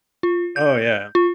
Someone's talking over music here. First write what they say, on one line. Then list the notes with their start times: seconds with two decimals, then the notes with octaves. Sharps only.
Oh, yeah.
0.23 F4
0.56 G6
1.15 F4